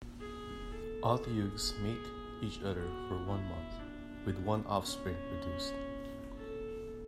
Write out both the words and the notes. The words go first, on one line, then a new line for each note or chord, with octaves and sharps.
Otyughs mate each year for one month, with one offspring produced.
G#4
A4
G#4
F#4
E4
D4
C#4
A4